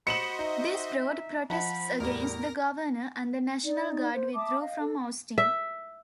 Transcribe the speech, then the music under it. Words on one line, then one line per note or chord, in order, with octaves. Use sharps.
This brought protests against the governor, and the National Guard withdrew from Austin.
F#4 C5 D#5 B5 C#7 E7 F#7
D#4 E5
F3 D#5 F#5 A5 B5
E2 A2 G3 E4 A#4 A#6
D#4 D5
C5
E5 A5 D6 D#6
D#5 F5
A4
E5